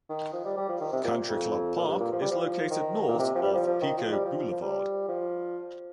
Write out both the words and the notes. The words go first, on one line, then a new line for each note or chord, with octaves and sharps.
Country Club Park is located north of Pico Boulevard.
D#3
F3
G3
G3
F3
D#3
C3
A#2
F2
A#2
G2
A#2
F3
G3
F3
D#3
A#2
C3
F3
G3
F3
F3
D#3
F3
G3
F3
F3
G3
F3